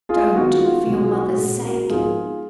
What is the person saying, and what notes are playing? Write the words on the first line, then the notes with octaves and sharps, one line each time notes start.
Don't, for your mother's sake.'
F4 G#4
D#3 G#3 B3 F#4
F4
B2 F#3 B3 D#4 F#4
G#4
F#4
A#2 G#3 C#4
F#4 A#4
G#2 F3 B3 D#4 F4 G#4